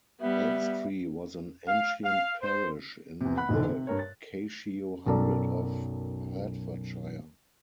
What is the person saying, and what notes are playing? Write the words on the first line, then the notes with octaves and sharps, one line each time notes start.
Elstree was an ancient parish in the Cashio Hundred of Hertfordshire.
G3 B3 E5
F5
F5
C5
E2 C3
F#5 B5 F#6
F1 B1 D3 E3
C3
G2 A#4 C#5
A6
B1 F#2 A4 A#4 D5